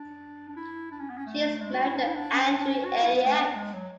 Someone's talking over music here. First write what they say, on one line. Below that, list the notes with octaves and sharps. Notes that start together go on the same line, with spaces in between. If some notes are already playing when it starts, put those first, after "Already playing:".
She is married to Andrew Elliott.
Already playing: D4
D4
E4
D4
C#4
B3
C#4
A3
G#3
F#4
E4
D4
E4
D4
C#4
C#4
D4
D4
C#4
F#4
E4
B3
A3
B3
G#3
F#3